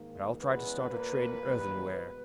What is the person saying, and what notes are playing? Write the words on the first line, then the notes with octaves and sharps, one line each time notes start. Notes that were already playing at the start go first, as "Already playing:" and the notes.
But I will try to start a trade in earthenware.
Already playing: G#2 D#3 A#3
E2 C#3 G#3 B3 B4
A#2 A#3 B4
E2 D#3 G3 A#3
B2 G#3 B3 B4